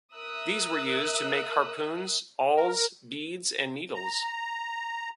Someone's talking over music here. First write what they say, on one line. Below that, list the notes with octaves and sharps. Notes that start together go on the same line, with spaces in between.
These were used to make harpoons, awls, beads and needles.
A#4 E5 D#6 E6 F#6
A#4
A#5